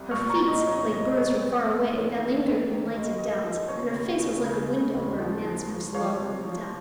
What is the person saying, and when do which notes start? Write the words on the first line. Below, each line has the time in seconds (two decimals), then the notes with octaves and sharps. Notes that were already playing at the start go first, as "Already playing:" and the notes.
Her feet like birds from far away That linger and light in doubt; And her face was like a window Where a man's first love looked out.
Already playing: C2
0.11 C#6 F6
0.18 A#2
0.29 A#5 C#6
0.42 A#2
0.48 D#5
0.67 C2 C#5
0.92 C2 D#5
1.11 D#5
1.17 C2 C#5
1.43 F2
1.67 F2
1.93 F2
2.18 D#3
2.43 D#3
2.69 D#3
2.93 D#2 D#5
3.18 D#2 D#5
3.44 F3 D#5
3.68 C#3 C#5
3.93 D#2
4.19 C#3
4.44 C#3
4.69 C#3
4.94 D#2
5.19 F3
5.44 F3
5.70 F3
5.94 F3 C#5 F5
6.20 C3
6.45 F3